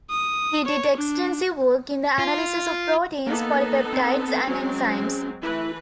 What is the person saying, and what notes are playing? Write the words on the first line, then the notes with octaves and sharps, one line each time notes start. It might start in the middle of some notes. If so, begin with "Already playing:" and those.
He did extensive work in the analysis of proteins, polypeptides, and enzymes.
D#6
C#5
D4
F4
A#3 B3 D#4 A4
C4
F#3 G#3 C4 C#4
E3 A3 E4 B4